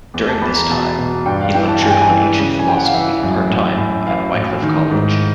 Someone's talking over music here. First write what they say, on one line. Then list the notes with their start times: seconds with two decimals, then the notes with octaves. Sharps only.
During this time he lectured on ancient philosophy part-time at Wycliffe College.
0.14 E2
0.28 A5
0.41 E2 B5
0.55 A#5
0.70 B2 A5
0.99 B2
1.26 G2 G5
1.41 F5
1.54 E3 G5
1.68 A5
1.82 G2 G#5
1.90 G5
1.98 G#5
2.10 E3
2.38 C#3
2.59 G#5
2.67 C#3 G5
2.77 F#5
2.85 F5
2.94 E3 E5
3.23 F#2
3.50 A2
3.78 A2
4.07 E3 F5
4.35 A2
4.62 D#3
4.91 G#2